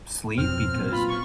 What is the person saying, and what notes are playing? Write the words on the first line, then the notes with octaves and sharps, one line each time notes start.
sleep, because
F2 B2 F#3 C4 F6
A#2 F#3 B3
F4 B5
C#6